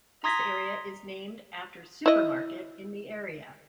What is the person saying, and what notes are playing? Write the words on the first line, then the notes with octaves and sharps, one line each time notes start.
This area is named after Supermarket in the area.
A#5 C6 D#6 G#6 A#6 B6
E4 D#5